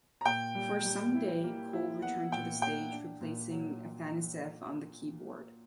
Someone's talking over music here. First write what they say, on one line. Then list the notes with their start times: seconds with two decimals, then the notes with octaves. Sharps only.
For "Someday", Cole returned to the stage, replacing Afanasieff on the keyboard.
0.21 A#5
0.25 A#2 G5
0.55 G3
0.85 G3
1.14 E4
1.44 A#3
1.73 E4
2.02 B3 F#5
2.32 A#2 G5
2.62 A#2 G5
2.91 D4
3.21 A#2
3.50 F#3